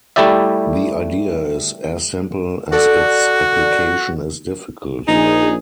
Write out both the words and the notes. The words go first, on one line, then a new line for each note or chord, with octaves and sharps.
The idea is as simple as its application is difficult.
G3 A3 E4 G4 D5 E5
F#4 A4 D5
A#1 D#4 G#4